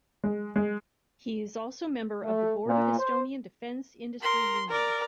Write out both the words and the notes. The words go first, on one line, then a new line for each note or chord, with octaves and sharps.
He is also member of the Board of Estonian Defense Industry Union.
G#3
G#3
A3
A#2
C5
A#4 C6
A#4 D5